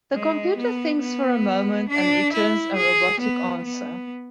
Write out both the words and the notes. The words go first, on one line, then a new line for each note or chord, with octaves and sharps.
The computer thinks for a moment and returns a robotic answer.
G#3
B3
B3
D4
E4
G#4
B3
B3